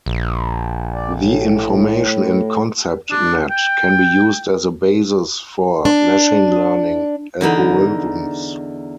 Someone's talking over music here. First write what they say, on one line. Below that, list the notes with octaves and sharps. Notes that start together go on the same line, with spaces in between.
The information in ConceptNet can be used as a basis for machine learning algorithms.
A#1
D5
A2
D4
G5
D4
E2 D3 D#4 B5